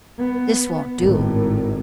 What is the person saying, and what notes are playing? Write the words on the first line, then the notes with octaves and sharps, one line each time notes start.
This won't do.
B3
G#1 A2